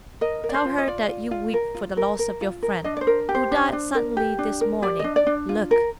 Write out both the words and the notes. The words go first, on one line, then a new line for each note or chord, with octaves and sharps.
Tell her that you weep for the loss of your friend, who died suddenly this morning. Look!
A#4 D#5
A#4
D5
C5
F4
D#5
F4 D5
F4
F4
A#4
F4
A#4
A#4
F4
A#4
D4 D#5
D5
C5
A#4
G4
C5
D4
D4
A#4
G4
D4
A#4
G4 D5
D4 D#5
D5
D4
F4
A#4